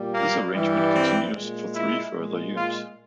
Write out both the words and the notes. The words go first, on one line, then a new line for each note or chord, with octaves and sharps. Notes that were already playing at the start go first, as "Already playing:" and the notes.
This arrangement continued for three further years.
Already playing: A#2 G3
A#3
G2 E3 G3
C4
A#2 G#3
E4
A#2 G#3
F4